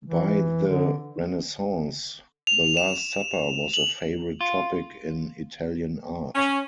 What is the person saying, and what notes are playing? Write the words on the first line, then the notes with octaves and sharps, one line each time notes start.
By the Renaissance, the Last Supper was a favorite topic in Italian art.
E3
D3
F7
E7
F#7
F4
C#4